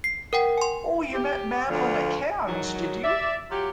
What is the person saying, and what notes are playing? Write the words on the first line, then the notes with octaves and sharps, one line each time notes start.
Oh, you met Madeline at Cannes, did you?
C7
A#4 F#5 G5
G#5 C6
G4
D2 D3 F3
G#2 D#3 F#3
D5 E5
F#3 F4 G4